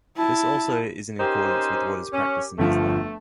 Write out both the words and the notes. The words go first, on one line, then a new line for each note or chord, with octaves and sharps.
This also is in accordance with what is practiced in Islam.
E4 A5
C#4 D#4 G4 A#4 C5
C#4
G1 F3 A3